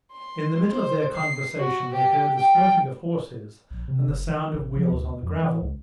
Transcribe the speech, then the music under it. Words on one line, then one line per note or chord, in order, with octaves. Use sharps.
In the middle of their conversation they heard the snorting of horses and the sound of wheels on the gravel.
C6
C5
C7
F#4
G4
G5
A#1
C3
F#1
D#3
A1
F3
D2
F2
E3
C#2